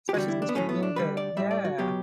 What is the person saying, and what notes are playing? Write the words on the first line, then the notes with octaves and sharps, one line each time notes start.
especially since you've been the yeah.
G4
E2 D3 G3 F#4
E4
D4
B3
A2 F#3 A3 C#4
B3
D4
D2 D3 G3 B4
D5
A2 G3 E5
D5
F#4
B2 F#3 G4